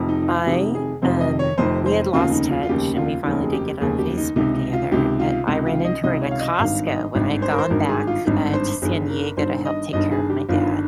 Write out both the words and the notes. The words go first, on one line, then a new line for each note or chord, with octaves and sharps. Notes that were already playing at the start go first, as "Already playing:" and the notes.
I, um we had lost touch, and we finally did get on Facebook together, but I ran into her at a Costco, when I had gone back, uh, to San Diego to help take care of my dad.
Already playing: F1 F2 C3 D#3
D#4
D#4
F4
F1 F2 C3 D#3 G4
G#4
F1 F2 C3 D#3 C5
D#5
C#5
F1 F2 C3 D#3 C5
C5
F1 D#2 C#3 F4
D#4
F4
F4
F1 D#2 C#3 G4
F4
F1 D#2 C#3 D#4
G#4
G4
F1 D#2 C#3 G#4
G4
D#4
C#2 C3 D#3 D#4
D#4
F4
C#2 C3 D#3 G4
F4
C#2 C3 D#3 D#4
F4
D#5
C#2 C3 D#3 D#5
C#5
F5
D#5
G#1 G2 D#3 F5
D#5
G#1 G2 D#3
C5
A#4
C5
G#1 G2 D#3 A#4
G#4
F4
G#1 G2 D#3
C5
G1 G2 D#3 G#4
A#4
G1 G2 D#3 C5
D#5
G1 G2 D#3 D#5
G#4
G4
G1 G2 D#3 F4